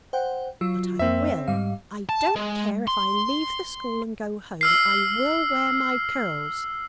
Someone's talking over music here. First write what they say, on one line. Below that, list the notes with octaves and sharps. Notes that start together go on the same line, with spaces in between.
But I will; I don't care if I leave the school and go home, I will wear my curls!
C5 F#5 G5
F#3 F4 E6
F2 A#3 C4 E5
G#2 G3 F5
A5
G#3
C6
E6 F6 C7